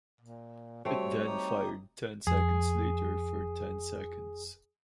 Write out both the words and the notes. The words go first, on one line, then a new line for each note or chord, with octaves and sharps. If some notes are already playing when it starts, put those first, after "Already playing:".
It then fired ten seconds later for ten seconds.
A#2
G3 A3 C4 D4 F#4 C#5
D#4 G4 D#6
F2 G#4